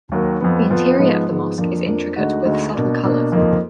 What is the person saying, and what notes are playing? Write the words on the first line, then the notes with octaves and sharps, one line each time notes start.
The interior of the mosque is intricate with subtle colors.
D#2 D#3 F#3 A#3
F2 F3 B3
F2 F3 B3
G#2 F3 G#3 B3
G#2 F3 G#3 B3
F2 F3 A#3 D4
F2 F3 A#3 D4
D2 D3 G#3 D#4 F#4
D2 D3 G#3 D#4 F#4
B2 A#3 D4
B2 A#3 D4
F2 F3 A#3 D#4